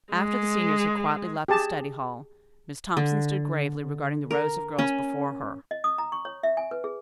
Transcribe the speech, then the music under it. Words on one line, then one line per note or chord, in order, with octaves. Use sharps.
After the seniors had quietly left the study hall, Miss Thompson stood gravely regarding the rows of girls before her.
G#3
G4 G#4 A5
D3
A#4
C#4
D#5
D#6
A#5
C#6
C#5
E5
G#5
B4
G#4